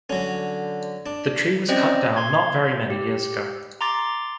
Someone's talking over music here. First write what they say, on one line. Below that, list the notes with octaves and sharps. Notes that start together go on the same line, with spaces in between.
The tree was cut down not very many years ago.
D3 F#3 C#4
D4
C4 C#4 C5 D5 D#5 G5
C6 G#6
G4
A#5 C6 D6 A6